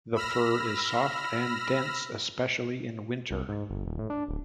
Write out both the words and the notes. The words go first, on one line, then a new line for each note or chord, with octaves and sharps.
The fur is soft and dense, especially in winter.
B5 E6 F6 A#6
C2
G#2
G1
D#1
A2
D4
D1